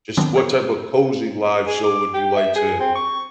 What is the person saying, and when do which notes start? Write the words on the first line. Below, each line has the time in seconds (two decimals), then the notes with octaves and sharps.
just what type of cozy live show would you like to
0.17 D#3 F#3 B3 C4 D4
0.36 A4 C#5
1.67 G#4
1.83 D6
2.14 G4
2.36 E5
2.55 G#4
2.80 C4
2.95 C#6